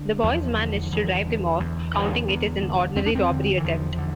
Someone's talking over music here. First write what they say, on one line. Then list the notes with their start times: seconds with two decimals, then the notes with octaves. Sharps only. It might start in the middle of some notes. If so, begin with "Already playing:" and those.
The boys manage to drive them off, counting it as an ordinary robbery attempt.
Already playing: D3
0.23 E2 F3
0.57 D3
0.92 E2
1.26 D3
1.60 E2
1.94 D3
2.28 E2
2.62 D3
2.96 E2 C4
3.06 D4
3.15 C4
3.31 D3
3.58 E3
3.64 E2 F3
3.98 D3